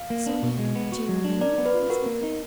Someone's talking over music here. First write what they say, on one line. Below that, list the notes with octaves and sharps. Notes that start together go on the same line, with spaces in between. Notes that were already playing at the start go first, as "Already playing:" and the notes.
"Sonya, do you remember?" asked Nicholas.
Already playing: F5
A#3
D4
B2
G#3
B3
F#4
F#3
D4
A#4 D5
B3
B4
F4
F#4 A#4
A#3
D#4